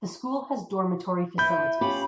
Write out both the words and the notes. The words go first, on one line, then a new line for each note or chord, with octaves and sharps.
The school has dormitory facilities.
E3 B5 G6
C#4 F4 G4 B5